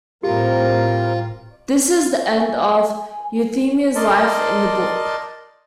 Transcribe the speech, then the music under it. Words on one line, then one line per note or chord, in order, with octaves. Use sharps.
This is the end of Euphemia's life in the book.
A2 G3 C4 F4 G4 A#4
G#5
A#4 D5 D#5 A5 C6